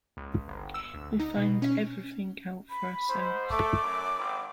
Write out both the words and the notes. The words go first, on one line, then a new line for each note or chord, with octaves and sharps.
We find everything out for ourselves.
C#2
G1
E6
D2
D#4
B2
C#4
B5
G#2 C5
A3 D6
F#2
G#1